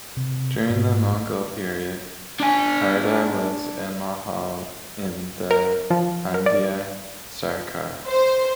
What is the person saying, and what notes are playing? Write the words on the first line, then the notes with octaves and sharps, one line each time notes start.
During the Mughal period, Harda was a mahal in the Handia sarkar.
C3
G#2
D4 G#5
A#4
F3
A#4
D5
C5